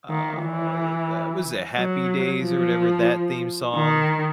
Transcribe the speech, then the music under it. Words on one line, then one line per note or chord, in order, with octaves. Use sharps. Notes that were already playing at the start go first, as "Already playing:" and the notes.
uh, o the was it Happy Days or whatever, that theme song?
D#3
E3
F#3
F3
D#3